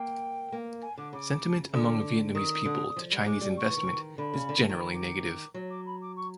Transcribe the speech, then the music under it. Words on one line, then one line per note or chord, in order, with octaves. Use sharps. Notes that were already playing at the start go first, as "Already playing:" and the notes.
Sentiment among Vietnamese people to Chinese investment is generally negative.
Already playing: A#3 G5
A#3
G#5
D3 D6
C#3 D6
D3 D#6
D6
D#3 D#6
D3
F3
G3
G#3 D6
G3
C#6
E3
D#3
D#3
D3 B5
C#3
D3
D#3
D#3
B5
D6
F#3
D6
B5
D6
C#6